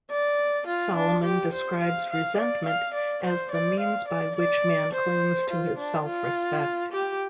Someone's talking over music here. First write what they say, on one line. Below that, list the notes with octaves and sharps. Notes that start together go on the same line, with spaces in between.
Solomon describes resentment as the means by which man clings to his self-respect.
D5
F4
D4
G4
C5
F5
F5
D5
F5
D5
C5
D5
F5
D5
D5
C5
F4
D4
F4
G4